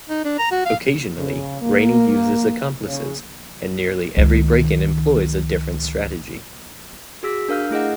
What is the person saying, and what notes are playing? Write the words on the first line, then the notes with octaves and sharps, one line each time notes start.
Occasionally, Rainey uses accomplices, and nearly every break-in employs a different strategy.
D#4
D4
A#5
F#4
F5
C#3
A#3
C#3
C#2 D#3
F#4 G#4 E6 B6
D4 A#4 F5 F6 G6
A3 E4 G#4 D#5 F#5